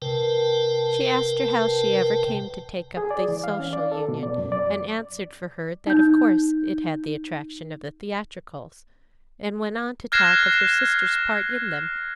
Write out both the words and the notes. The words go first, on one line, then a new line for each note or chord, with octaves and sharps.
She asked her how she ever came to take up the Social Union, and answered for her that of course it had the attraction of the theatricals, and went on to talk of her sister's part in them.
C3 A#4 B4 G5 A5
G#4
D5
E3
F5
C#4
D5
A4
B2
D5
F#2
D5
D#4 G6
F6 F#6 G#6 A#6 C7 E7